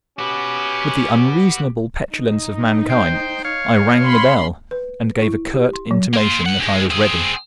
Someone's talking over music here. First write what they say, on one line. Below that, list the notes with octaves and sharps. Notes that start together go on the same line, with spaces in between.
With the unreasonable petulance of mankind I rang the bell and gave a curt intimation that I was ready.
C#4 F#4 G4 B4
D#4
C5 G5
C#5 F5
C#4 B5 C6
B4
E4
G4
C6
F#3
A#3 C6
F#2 F#5
G2 G#3
C4 G#4